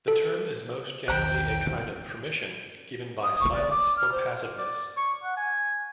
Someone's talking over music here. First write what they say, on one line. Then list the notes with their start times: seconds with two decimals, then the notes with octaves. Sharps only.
The term is most generally a kind of "permission" given by silence or passiveness.
0.08 A4
1.08 B1 E2 D#3 C5 G5 A#5
3.23 D#6
3.40 C#6
3.52 D5
3.71 D6
3.97 F6
4.12 C5
4.58 D5
4.97 C#6
5.24 F#5
5.37 G#5